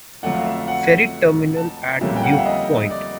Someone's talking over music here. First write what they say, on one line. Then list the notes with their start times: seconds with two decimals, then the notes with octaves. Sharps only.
Ferry terminal at Duke Point.
0.23 F2 D3 F#3 A3 D4 F#5
0.33 F5
0.45 E5
0.55 F5
0.68 F#5
1.57 A5
2.01 F2 D3 G3 A#3 C#4 E5
2.16 G5
2.24 F#5
2.31 F5
2.38 E5
2.46 D#5
2.90 D5